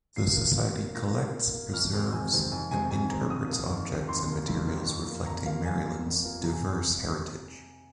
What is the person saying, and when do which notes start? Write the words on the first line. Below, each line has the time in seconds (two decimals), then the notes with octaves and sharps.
The society collects, preserves, and interprets objects and materials reflecting Maryland's diverse heritage.
0.16 A#2 C7
0.36 A#3
0.56 A#2
0.75 A#3
0.95 A#2 A#6
1.14 A#3
1.34 A#2
1.53 A#3
1.73 F2 F6
1.93 C3 D#3 G#3 C4
2.12 F2 G#5
2.32 C3 D#3 G#3 C4
2.52 F2 G#5
2.71 C3 D#3 G#3 C4 G#5
2.91 F2 G#5
3.10 C3 D#3 G#3 C4 A#5
3.30 F2 D#6
3.50 D#3 A#3
3.70 F2
3.89 D#3 A#3
4.09 F2 C6
4.28 D#3 A#3
4.48 F2
4.67 D#3 A#3
4.87 F2
5.06 F3 A#3
5.26 F2 A#5
5.46 F3 A#3 F5
5.65 F2 G#5
5.85 F3 A#3
6.04 F2
6.25 F3 A#3
6.44 C3 A#5
6.53 G#5